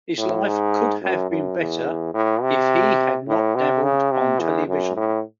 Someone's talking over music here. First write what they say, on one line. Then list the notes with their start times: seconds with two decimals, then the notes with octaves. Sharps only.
His life could have been better if he had not dabbled on television.
0.17 A2
0.45 G#2
1.01 F#2
1.30 F#2
1.58 E2
2.14 A2
2.42 C3
3.27 A2
3.55 C3
3.83 C#3
4.11 C3
4.40 E2
4.67 F#2
4.96 A2